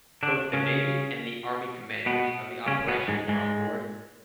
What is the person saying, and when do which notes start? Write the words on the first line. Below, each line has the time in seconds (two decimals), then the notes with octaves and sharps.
Both the navy and the army commanders of the operation were on board.
0.23 D3 D4
0.53 C#3 C#4
2.06 B2 B3
2.68 C#3 C#4
2.88 B2 B3
3.08 G#2 G#3
3.28 G#2 G#3